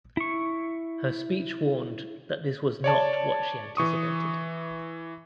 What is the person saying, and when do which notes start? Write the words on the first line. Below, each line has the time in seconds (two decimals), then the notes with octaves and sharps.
Her speech warned that this was not what she anticipated.
0.17 E4 C#6
2.84 C#5 D5 A5
3.77 E3 C#6 D#6